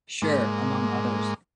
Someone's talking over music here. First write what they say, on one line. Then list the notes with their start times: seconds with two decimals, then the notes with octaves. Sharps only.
Sure!, among others.
0.22 G#2 G#3 A#3